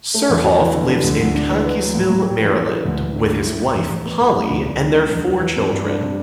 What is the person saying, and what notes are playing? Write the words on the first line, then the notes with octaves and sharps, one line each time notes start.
Surhoff lives in Cockeysville, Maryland with his wife Polly and their four children.
A3
E2
F#4
E3
D3
D3
D2
D2
D4
E3
B4
F#3
A2
A2
G4
E3
A4
E3
D2
D2
D4
A2
E4
A2
E2
E2
B3
C2
A3
D2
C2
C2
D4
E2
E3
E3
C4
G2
D4
C3